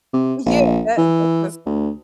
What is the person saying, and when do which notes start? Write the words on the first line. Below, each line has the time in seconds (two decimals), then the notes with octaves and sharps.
Yeah, that that's just
0.13 C3
0.46 A#1
0.97 E3
1.66 D2